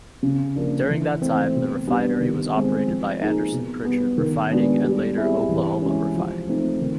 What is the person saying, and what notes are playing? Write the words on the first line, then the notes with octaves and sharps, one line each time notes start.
During that time, the refinery was operated by Anderson-Prichard Refining and later Oklahoma Refining.
C#3
F3 A#3 D4
E3
A3 C4
B2
G3 B3 D4
D#3
G#3 C4
F3
A#3 D#4 G#4
B2
G3 B3
D#3
G#3 B3 D4 F#4
G3
C4 E4 G#4
E3
G#3 C#4 E4 G4
F3
A3 C4 D#4
D#3